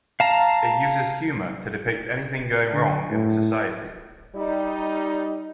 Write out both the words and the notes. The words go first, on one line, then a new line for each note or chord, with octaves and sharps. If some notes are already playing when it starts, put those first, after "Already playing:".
It uses humor to depict anything going wrong in the society.
F5 A5 A#5
D3
A2
G3 D#4